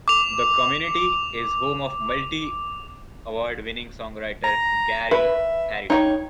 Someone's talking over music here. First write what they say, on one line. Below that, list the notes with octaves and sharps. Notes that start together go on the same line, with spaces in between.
The community is home of multi-award winning songwriter Gary Harrison.
D6 F7
A#5
B4 E5
D#4 C#5 G5